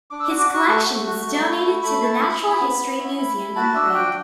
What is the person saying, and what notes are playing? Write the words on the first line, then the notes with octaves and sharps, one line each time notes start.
His collection was donated to the Natural History Museum in Prague.
D4 D6
E6
F#4 D6
D6
F#4 C#6
A3 C#6
A3
F#4
A3
E4
A3
A3 B5
E4 A5
E4 B5
E4
B3
B3
E4
E4
E4
F#4 A5
D4 E5
F#4 G5